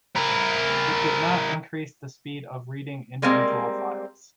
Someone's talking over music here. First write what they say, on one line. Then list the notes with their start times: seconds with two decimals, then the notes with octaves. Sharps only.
It did not increase the speed of reading individual files.
0.16 E4 A#4
3.22 G3 G#3 A#3 C4 A#4